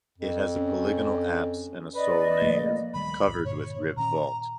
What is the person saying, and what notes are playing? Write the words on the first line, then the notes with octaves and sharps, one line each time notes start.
It has a polygonal apse and a sole nave, covered with ribbed vault.
F2
C#4
B4 D5 D#5
F3 A3 A#3
D1 D#3 G3 B5
B1 E2 A2
G2 A#2 D3 C#5
A#2 D#3 C#4 A#5